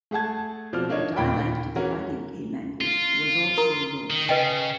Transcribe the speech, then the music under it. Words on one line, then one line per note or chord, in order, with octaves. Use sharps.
The dialect of the Adyghe language was also lost.
A3 G#4 F#5 A5 G#6
B2 F3 C4 D5 F6
A#3 D4 D#4 C#5
D#2 A#2 G5 B5 D7
E3 C#4 F#4 A#4
F4
A#4 A#5
D#3
C#3 B4 D#5 G5